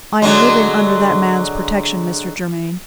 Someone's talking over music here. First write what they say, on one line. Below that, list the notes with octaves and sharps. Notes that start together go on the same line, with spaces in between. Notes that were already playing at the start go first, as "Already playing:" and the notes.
I am living under that man's protection, Mr. Germaine.
D3 F#3 G#3